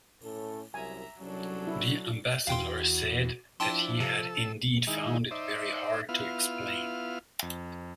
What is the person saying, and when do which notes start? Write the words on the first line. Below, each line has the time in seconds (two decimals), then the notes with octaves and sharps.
The ambassador said that he had indeed found it very hard to explain.
0.23 A2 C#4 A4
0.74 C2 F#2 E5 G#5 A#5
1.21 C2 C3 F#3 C#4 D4 A4
1.67 E4
2.47 E2 F#4 F5 G5 C6
3.60 F3 D4 E4 G5 A5 C6
4.00 C3 A4 E6
4.87 D#3 G#3 D#4 E4
5.31 D#4 C5 D5 E5
6.09 B3 E4 F4 F6
7.42 F2